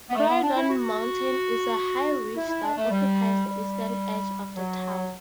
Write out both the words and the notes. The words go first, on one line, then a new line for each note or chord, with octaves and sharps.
Croydon Mountain is a high ridge that occupies the eastern edge of the town.
B3
A3
B3
D4
E4
F#4
E4
E4
D4
A3
G3
G3
F#3